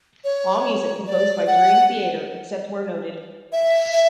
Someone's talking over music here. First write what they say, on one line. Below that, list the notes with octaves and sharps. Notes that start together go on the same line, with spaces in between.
All music composed by Dream Theater except where noted.
C#5
D5
F#5
E5
E5